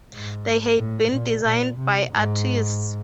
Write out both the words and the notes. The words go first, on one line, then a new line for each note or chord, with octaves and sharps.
They had been designed by artists.
G#2
A2
A#2
A#2
C3
G#2